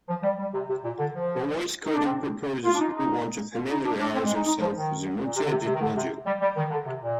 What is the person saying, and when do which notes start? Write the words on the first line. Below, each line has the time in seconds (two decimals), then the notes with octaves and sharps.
For voice coding purposes, you'll want to familiarize yourself with the multiedit module.
0.09 F3
0.23 G3
0.39 G3
0.54 C3
0.69 C3
0.84 A#2
0.99 D3
1.13 F3
1.86 D#4
1.95 D4
2.04 C4
2.65 F4
2.74 D4
2.79 D#4
2.95 D#4
3.55 F4
3.70 D#4
3.85 D4
4.00 D4
4.15 C4
4.25 G#3
4.35 D#4
4.45 D#4
4.60 F3
4.76 D#3
5.24 A#2
5.35 C3
5.46 D3
5.51 C3
5.66 C3
5.74 D#3
5.81 D3
5.97 C3
6.26 G3
6.41 G3
6.56 D#3
6.71 D3
6.86 C3
7.01 A#2